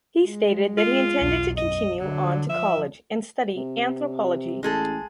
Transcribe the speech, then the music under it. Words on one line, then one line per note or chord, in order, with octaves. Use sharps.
He stated that he intended to continue on to college and study anthropology.
G#3
F4
B1 E2
F#2 D#5
D3 F#3
F3 E5
C3
A1 G#3 G#4 A4